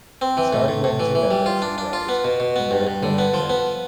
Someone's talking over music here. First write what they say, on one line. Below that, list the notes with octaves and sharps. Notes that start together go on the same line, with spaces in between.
It starred Lindsay Mendez as Rose and Derek Klena as Eddie.
C4
E3
A2
A2
A2
E3
E3
G3
F4
D4
D4
F4
B3
B2
B2
B3
G2
G2
D3
B3
F3
B3